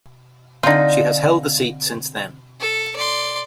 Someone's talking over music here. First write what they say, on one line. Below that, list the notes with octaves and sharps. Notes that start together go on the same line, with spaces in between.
She has held the seat since then.
D3 C4 D#4 F4
A4
D5 C6